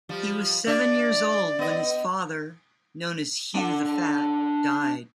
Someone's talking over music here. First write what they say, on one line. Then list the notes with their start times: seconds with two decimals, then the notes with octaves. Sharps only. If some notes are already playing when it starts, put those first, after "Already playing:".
He was seven years old when his father, known as Hugh the Fat, died.
0.09 F3 G3
0.67 D4 D5 E5
1.59 B3 D#5
3.56 D4 F#5